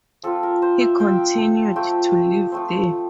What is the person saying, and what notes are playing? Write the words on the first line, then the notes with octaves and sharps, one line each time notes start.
He continued to live there.
F3 C4 F4 A4
A#4
C5
E5
F3 C4 F4 G5
A5
F3 A3 C4 G5
F3 A3 C4